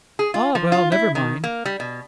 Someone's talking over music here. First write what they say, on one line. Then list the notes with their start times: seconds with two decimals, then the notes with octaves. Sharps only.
Ah, well, never mind.
0.19 G#4
0.34 F4
0.55 F3
0.72 F4
0.92 E4
1.15 D#3
1.44 A#3
1.65 G3
1.80 B2